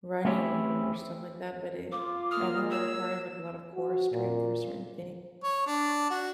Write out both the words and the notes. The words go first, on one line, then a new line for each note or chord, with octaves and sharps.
running or stuff like that, but it I know it requires, like, a lot of core strength for certain things
A3 C4 C#4 E4 G4 G#4
F4 D6
A#3 D#6 F6
C#5 E6
F#4
A#2
C#5
D4
F#4